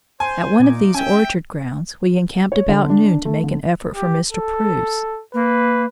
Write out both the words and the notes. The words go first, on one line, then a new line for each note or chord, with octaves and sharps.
At one of these orchard grounds, we encamped about noon to make an effort for Mr. Preuss.
C5 G#5
A#2 D#4 F4 D6
C#4 E5 G5 G#5
C#5
D3
D4
A3
D3
G4
A4
A#3 B4